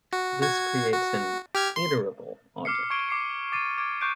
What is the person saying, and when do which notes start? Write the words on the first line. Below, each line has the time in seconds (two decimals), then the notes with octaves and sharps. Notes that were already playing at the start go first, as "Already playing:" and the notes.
This creates an Iterable object.
0.13 F#4
0.42 F#4 G#6
0.94 F#4
1.55 G4 F6 G#6
1.76 C6
2.65 D6 F6 C7 C#7
2.90 C#6 G#6 C7 D7 G7
3.09 D6 C7 C#7
3.52 D6 A6 C7 D#7
3.78 D6 G#6 D7
4.01 C#6 D6 F#6 G6 C7 D7